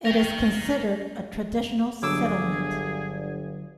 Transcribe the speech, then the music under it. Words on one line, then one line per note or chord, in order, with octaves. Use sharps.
It is considered a traditional settlement.
A#4 G5
G1 D3 F#3 G#4 D6 E6